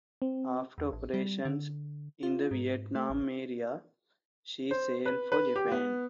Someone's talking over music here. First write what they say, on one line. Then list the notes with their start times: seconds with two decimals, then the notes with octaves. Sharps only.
After operations in the Vietnam area, she sailed for Japan.
0.22 C4
0.78 E2
0.93 A1
1.14 G3
1.45 D3
2.23 F4
2.51 G#2
2.95 A3
3.10 A1
4.71 C5
5.06 B4
5.32 B4
5.56 G4
5.72 B3